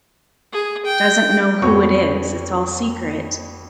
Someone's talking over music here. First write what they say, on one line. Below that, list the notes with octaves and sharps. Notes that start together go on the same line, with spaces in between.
doesn't know who it is, it's all secret,
G#4
G5
F2 B3 F#4 C#5 C#6